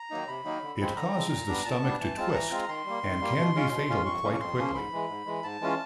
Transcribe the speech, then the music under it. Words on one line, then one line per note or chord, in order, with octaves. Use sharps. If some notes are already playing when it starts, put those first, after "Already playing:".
It causes the stomach to twist and can be fatal quite quickly.
Already playing: A#5
D#3 F#3 A#3 D#4
C3 B5
D#3 F#3 A#3 D#4
D3
F3 G#3 C4
D3 A#5
F3 G#3 C4
A#2
G3 B3 D4
A#2 A5
G3 B3 D4
E3 A5
G#3 C4 F4
E3 A#5
G#3 C4 F4
D#3 C6
G3 A#3
D#3
G3 A#3
B2
G#3 C#4 F4
B2
G#3 C#4 F4
F2 C#6
C#3 F3 A#3 C#4
C#6
F2 C6
C#3 F3 A#3 C#4
G#2 B5
E3 G#3
G#2
E3 G#3
G#2 A5
E3 G#3 C#4 F4